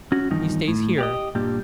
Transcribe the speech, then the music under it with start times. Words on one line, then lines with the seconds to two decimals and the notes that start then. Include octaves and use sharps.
He stays here.
0.12 C#4 F#4
0.30 E2 G2 D#3 F3 D#4
0.68 A2
0.98 G4 D5 D#5
1.35 G2 A#2 G3